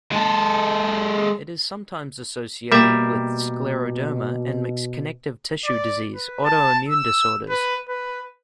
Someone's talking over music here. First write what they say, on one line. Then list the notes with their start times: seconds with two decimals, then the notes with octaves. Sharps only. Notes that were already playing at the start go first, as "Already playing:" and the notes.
It is sometimes associated with scleroderma and mixed connective tissue disease, auto-immune disorders.
0.12 G#3 A4
2.72 B2 G3 A#3 E5
5.65 D5
6.14 B4
6.44 A5
6.89 E6
7.50 B4
7.89 B4